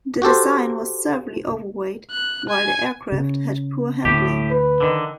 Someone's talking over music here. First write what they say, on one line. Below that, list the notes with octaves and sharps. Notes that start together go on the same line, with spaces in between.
The design was severely overweight, while the aircraft had poor handling.
F#4 G4 A4 C5
F#6
G#5
C#3
D2 A2 G4
B4
D3 D#3